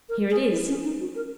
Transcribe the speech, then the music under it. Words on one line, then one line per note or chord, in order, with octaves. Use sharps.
"Here it is."
A#4
G#4
E4
C#4
D#4
F#4
A#4